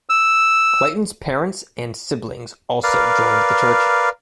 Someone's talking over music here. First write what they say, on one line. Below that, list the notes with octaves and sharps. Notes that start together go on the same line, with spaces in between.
Clayton's parents and siblings also joined the church.
E6
A#4 B4 D5 F5